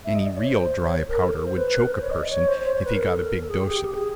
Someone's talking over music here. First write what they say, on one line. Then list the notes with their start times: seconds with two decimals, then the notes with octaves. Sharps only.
Any real dry powder would choke a person if he got a big dose of it.
0.05 E5
0.15 D#5
0.26 D5
0.36 C#5
0.48 C5
0.84 C#5
1.09 A#4
1.21 A4
1.33 A#4
1.44 C5
1.57 B4
1.76 A#4
1.85 B4
1.94 C5
2.02 C#5
2.11 D#5
2.20 D5
2.30 C#5
2.48 C5
2.67 C#5
2.75 C5
2.85 B4
2.94 A#4
3.03 A4
3.21 A#4
3.39 A4
3.49 G#4
3.58 G4
3.67 G#4
3.75 G4
3.94 G#4